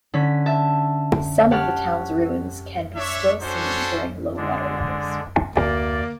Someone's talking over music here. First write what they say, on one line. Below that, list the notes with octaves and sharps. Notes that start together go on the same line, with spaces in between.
Some of the towns ruins can be still seen during low water levels.
D3 C#4 B6
E5 A5
G4 C#5 F#5 A5 C#6 F6
D4 C#5 E5
C#4 D4 F#4 A4 C5 C#5
D3 G#3 D4
D2 A#3 D5